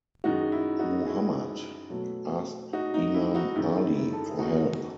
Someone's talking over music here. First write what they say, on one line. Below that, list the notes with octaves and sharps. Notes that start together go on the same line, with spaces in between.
Muhammad asked Imam Ali for help.
F#2 D#3 G#3 D#4 F#4
E4
D#4 F#4
E4 G#4
B2 F#3 A3
D#4 F#4
D#4
E4
D#4 F#4
F#2 D#3 G#3 E4
E4
A4
G#4
D#4 F#4